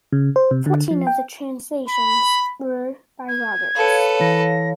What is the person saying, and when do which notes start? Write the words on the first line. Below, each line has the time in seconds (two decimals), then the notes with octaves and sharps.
Fourteen of the translations were by Roberts.
0.13 C#3
0.36 C5
0.51 C3
0.66 D3
0.91 F3
1.07 G5
1.89 B5
3.28 G#6
3.76 A4 B4 C#5 F5
4.21 E3 A#6